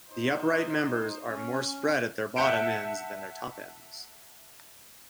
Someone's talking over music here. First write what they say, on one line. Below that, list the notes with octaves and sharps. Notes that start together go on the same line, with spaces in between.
The upright members are more spread at their bottom ends than their top ends.
D#4 C5
C#4 C#5
E5 F#5 A5 G6 C#7 D7